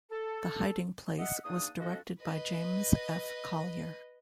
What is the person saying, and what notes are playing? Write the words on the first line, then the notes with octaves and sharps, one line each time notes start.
"The Hiding Place" was directed by James F. Collier.
A4
D#5 E5 F#5
E2 A#3 D4 D#4 D#6
F3 C4 D4 F#4 A4 D#5
B4 D#5